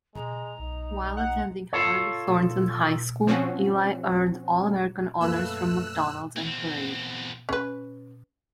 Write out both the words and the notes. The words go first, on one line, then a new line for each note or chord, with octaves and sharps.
While attending Harvey Thornton High School, Ely earned All-American honors from McDonald's and Parade.
G#3 A#5
B1 D#4
F#5
F4 A4 C#5
F3 C4 C#4 F#4
F#2 A3 A#3 B4 E6 F#6
E2 C4
C#4 B4